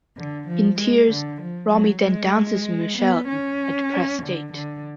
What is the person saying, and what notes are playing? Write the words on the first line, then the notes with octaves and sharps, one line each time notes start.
In tears, Romy then dances with Michele in a depressed state.
D3
F3
G#3
D3
F3
F#3
G#3
B3
C#4
D3
D3